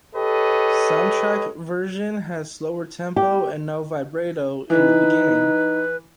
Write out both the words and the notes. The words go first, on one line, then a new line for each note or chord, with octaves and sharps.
Soundtrack version has slower tempo and no vibrato in the beginning.
G4 A4 B4 C#5 D#5
G4
E3 D#4 B4